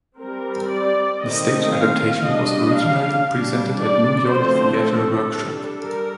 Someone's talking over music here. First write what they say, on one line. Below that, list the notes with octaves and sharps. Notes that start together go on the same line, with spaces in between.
The stage adaptation was originally presented at New York Theatre Workshop.
G3 C4 A#4
D5
D#3 A3 C4 D#5
F5
G3 D4 D#5
F5
G3 D4
D5
D3 F3 A3 C4 C5
A4
G3 D4
A#4